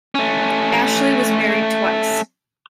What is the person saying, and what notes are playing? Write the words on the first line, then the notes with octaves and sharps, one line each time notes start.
Ashley was married twice.
A3 C#4